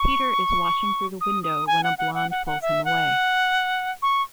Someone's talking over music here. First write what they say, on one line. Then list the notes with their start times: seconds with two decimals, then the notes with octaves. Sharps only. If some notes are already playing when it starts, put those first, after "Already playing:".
Peter is watching through the window when a blonde pulls him away.
Already playing: C#6
1.21 D#6
1.43 D#6
1.67 G#5
1.83 F#5
1.98 F#5
2.14 F#5
2.31 F#5
2.46 F#5
2.62 E5
2.85 F#5
4.02 C#6